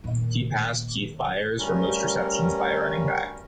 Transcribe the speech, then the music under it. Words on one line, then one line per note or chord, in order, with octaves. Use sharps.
He passed Keith Byars for most receptions by a running back.
A#2 D#3
D2 G2 G3 C#4 A#4